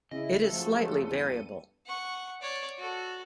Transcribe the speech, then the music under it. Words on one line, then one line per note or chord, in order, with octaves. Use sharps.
It is slightly variable.
C#3 E4 D#5
G#2 C#3 F3 F#3 A3 A4 E5
E2 G2 D#7
F#5 C#6
C#5 D5
F#4 A4